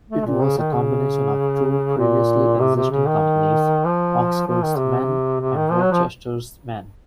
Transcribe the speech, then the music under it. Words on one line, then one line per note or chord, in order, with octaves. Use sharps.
It was a combination of two previously-existing companies, Oxford's Men and Worcester's Men.
A3
A#2
C#3
D#3
C#3
A#2
C3
C3
C#3
D#3
F3
F3
D#3
C3
C3
D#3
F3
F#3
F3